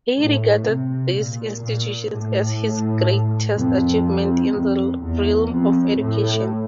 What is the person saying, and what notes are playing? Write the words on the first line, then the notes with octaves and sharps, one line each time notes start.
He regarded these institutions as his greatest achievement in the realm of education.
A2
C3
A#2
A#2
A2
F2
F2
E2
F2
A2